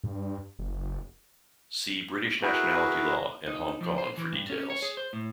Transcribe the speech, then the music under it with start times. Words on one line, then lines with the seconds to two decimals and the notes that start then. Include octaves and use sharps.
See British nationality law and Hong Kong for details.
0.04 G2
0.59 F#1
2.42 E4 F#4 G#4 A#4 B4
3.48 D#4
3.81 F3
3.98 C5
4.17 E3
4.32 G2
4.50 C#4
4.70 C#5
4.82 G#4
4.97 C5
5.13 A2